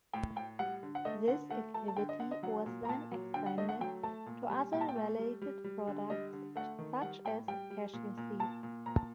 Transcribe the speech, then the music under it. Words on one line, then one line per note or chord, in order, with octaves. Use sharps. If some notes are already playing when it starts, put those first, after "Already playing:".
This activity was then expanded to other related products, such as cashew seed.
A2 G5
A2 G5
G3 F#5
D3
F#5
A3 D#5
D3 F#5
A3 F#5
A3 A5
A5
D3 G5
D#5
D3 F#5
D#5
F#3 F#5
A#2
A#5
A#2 A5
F#3
D3 G5
F#5
A3 D#5
F#5
F#3 G5
A3 A5
A#2
G3
A#2 G5
A5
G5
A3
G3
G3
G3
D3
G3 D#5
D3
A3 F#5
D#3
G3 F#5
A2 G5
G3 G5
G3
A#2
A#2
A#2 A5
A#2
A#2 A#5
A5